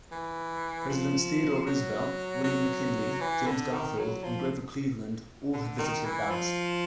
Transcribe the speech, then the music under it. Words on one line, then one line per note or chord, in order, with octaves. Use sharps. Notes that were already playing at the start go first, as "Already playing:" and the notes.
Presidents Theodore Roosevelt, William McKinley, James Garfield and Grover Cleveland all have visited Ballast.
E3
F3
F#3
F#3
E3
D3
D#3
F#3
F3
D3
D#3
E3
F3